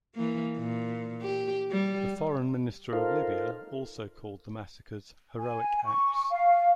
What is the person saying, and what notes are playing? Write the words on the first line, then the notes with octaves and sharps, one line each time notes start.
The Foreign Minister of Libya also called the massacres "heroic acts".
E3 A#3
A#2
G4
G3
D#4 F4 A4 A#4 C5 F5
G#5
C#6
F5